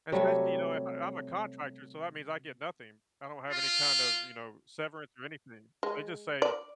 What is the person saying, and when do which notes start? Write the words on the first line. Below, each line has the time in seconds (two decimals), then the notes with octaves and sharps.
Especially, you know, if I'm a contractor, so that means I get nothing I don't have any kind of, you know, severance or anything. They just say,
0.12 C3 F#3 G3 A3
3.50 F4
5.83 G#3
6.42 D5